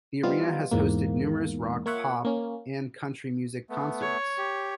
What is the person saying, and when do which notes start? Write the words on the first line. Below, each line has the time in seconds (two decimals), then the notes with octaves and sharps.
The arena has hosted numerous rock, pop, and country music concerts.
0.23 F3 G3 B3 D#4 F4
0.71 E2 G#2 A#3
1.86 A#3 F4 C#5 E5 F#5
2.25 A#3 C#4
3.70 A3 B3
4.00 C#5
4.38 G4